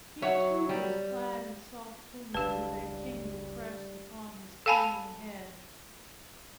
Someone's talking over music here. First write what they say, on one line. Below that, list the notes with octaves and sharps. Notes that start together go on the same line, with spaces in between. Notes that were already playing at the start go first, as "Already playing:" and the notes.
He too was clad in soft plumage with a kingly crest upon his kingly head.
F#3 C#5 E5 F#5
G3
F#1 C#2 G3 D4 G4 B4 F5 A5
A4 F5 G#5 A5 B5